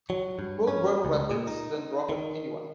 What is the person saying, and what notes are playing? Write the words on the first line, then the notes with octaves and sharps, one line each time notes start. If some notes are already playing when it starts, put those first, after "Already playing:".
RoadRunner Records then dropped Anyone.
F#3
G2
C#4
C#2
A#2
D#4
D#3